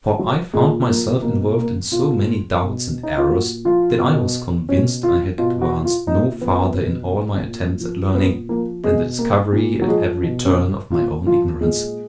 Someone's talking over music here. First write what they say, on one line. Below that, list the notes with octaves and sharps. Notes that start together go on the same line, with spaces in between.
For I found myself involved in so many doubts and errors, that I was convinced I had advanced no farther in all my attempts at learning, than the discovery at every turn of my own ignorance.
F#3
A#2 G#3
F3 A#3
B2 A#3
A#3
B2 F4
B2
D#4
F4
A#2 F#4
F3 F4
B2
B2 C#4
F4
B2 F4
F#4
F4
A#2 D#4
F3 B3
B2
A#2
F3
A#2 B3
F3 A#3
B2 G#3
A#3
A#2
F#3
F3 G#3
B2
C#4
A#2 F4
F3 F4
A#2 G#3